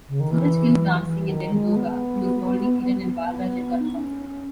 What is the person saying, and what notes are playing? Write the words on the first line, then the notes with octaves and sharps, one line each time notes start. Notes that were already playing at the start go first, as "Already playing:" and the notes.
Suraj kills Ramsingh and then Goga, who was holding Kiran and Balraj at gunpoint.
C#3
D#3
E3
E3
D#3
G#3
B3
B3
D#4
C#4